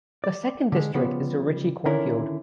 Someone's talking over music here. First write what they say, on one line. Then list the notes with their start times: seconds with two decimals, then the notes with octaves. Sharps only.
The second district is the Ritchey cornfield.
0.24 D5
0.72 D3 G#3
0.94 C#3 F3 G3 B3
1.85 D3 D#3 C#4 E4 A#4